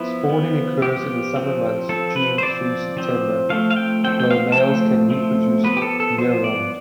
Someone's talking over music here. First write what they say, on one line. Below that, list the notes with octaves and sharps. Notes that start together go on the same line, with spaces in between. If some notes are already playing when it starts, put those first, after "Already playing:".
Spawning occurs in the summer months, June through September, though males can reproduce year-round.
Already playing: F3 B3 E4
F3 B3
F3 B3 G4
F3 C4
F3 C4 A4
B4
C5
F3 C4 D5
F3 C4
F3 A3 C4 F5
F5
G5
F3 A3 C4 G5
G5
F5
A5
F3 A3 C4 G5
F3 A3 C4
F3 B3 B4
G4
A4
A4
F3 B3 C5
D5